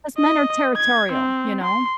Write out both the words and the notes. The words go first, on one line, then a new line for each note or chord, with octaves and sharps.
'Cause men are territorial, you know?
D#5
G#6
C4
C6